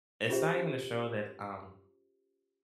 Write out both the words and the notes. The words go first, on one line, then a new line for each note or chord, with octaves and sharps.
it's not even a show that, um,
C#4 F4 G4 G#4 C5 E5